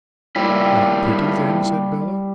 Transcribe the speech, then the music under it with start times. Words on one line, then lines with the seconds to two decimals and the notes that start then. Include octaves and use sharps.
'Not pretty then?' said Bella.
0.36 G3 A#3 E4 F4